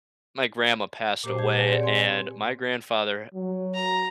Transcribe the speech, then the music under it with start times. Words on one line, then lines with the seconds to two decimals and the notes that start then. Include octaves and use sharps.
my grandma passed away, and my grandfather,
1.24 A#2 A#3 G4 C5
1.38 A5 G6 G#6
1.50 G4 G#4 B4 F#5 G#5
1.67 C4 G4 G#4 C#5 D5
1.83 G#5 C6
3.34 F#3
3.75 A#5